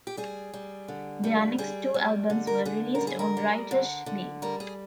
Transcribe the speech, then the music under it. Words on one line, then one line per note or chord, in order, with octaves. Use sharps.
Their next two albums were released on Righteous Babe.
G4
G3 G#4
G3
D3
G3
G3 G#4
G3
D3
A#4
D3 G#4
A#4
G3
G#4
A#4
G3
D3
D3
G3 A#4
G#4